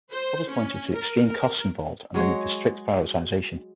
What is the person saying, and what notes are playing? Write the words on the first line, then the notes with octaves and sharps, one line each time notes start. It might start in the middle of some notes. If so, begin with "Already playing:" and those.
Others pointed to the extreme costs involved and the need for strict prioritisation.
C5
C#4
A#4
A#4
F#3 G#3 F#4 C#5